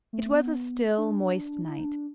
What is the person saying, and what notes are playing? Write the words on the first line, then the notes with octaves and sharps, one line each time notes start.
It was a still, moist night.
A3
B3
D4
D#4
E4
D#4
D4